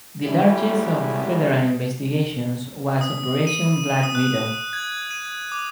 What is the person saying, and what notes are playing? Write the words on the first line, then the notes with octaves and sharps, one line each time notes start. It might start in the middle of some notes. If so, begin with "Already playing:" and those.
The largest of the federal investigations was Operation Black Widow.
G#1 A2 G3 E4 F#4 G#4
D#6
D#7
D#6
F#6
G#6
D#7
D6